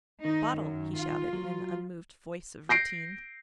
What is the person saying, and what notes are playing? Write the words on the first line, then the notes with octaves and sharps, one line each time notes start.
"Bottle!" he shouted, in an unmoved voice of routine.
D#3 D#4
F#2
F4
F#3
G6 A#6 C7 D7